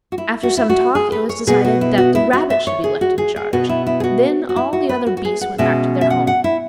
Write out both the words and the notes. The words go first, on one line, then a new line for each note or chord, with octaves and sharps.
After some talk it was decided that the rabbit should be left in charge; then all the other beasts went back to their homes.
F#4
E4
F#4
E4
F#4
G#4
B4
C#5
B2 B3 G#4
F#4
E4
F#4
E4
F#4
E5
C#5
G#4
F#4
G#4
G#4
B2 B3 F#4
E4
E4
G#4
F#4
F#4
E4
F#4
B4
F#4
F#4
G#4
F#5
B2 G#3 C#4 E5
E5
F#5
F#5
E4